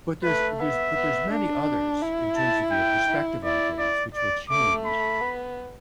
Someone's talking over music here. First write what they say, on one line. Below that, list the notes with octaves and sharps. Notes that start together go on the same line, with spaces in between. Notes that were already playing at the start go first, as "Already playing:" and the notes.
But there's there's, but there's many others in terms of your perspective on things which will change,
A3 B4
B3 E5
B3
D4
E4
A5
G5
E4
E4 D5
D5
D5
A3 D6
B5
B3